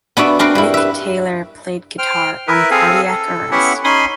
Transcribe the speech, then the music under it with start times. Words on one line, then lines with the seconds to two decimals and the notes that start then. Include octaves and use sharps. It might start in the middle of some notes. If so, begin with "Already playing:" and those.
Mick Taylor played guitar on "Cardiac Arrest".
0.17 B3 D4 F#4 E5
0.39 C4 D4 A#4 B4
0.55 G2 E4
0.74 B4 E5
1.98 C5 G5 F6
2.47 E4 A#4 B4 E5
2.71 C4 G#4 A4 F5 G#5
3.09 A4
3.51 B3 C#4 E4 G4 E5 F#5
3.84 C#4 D#4 G#5 B5 C6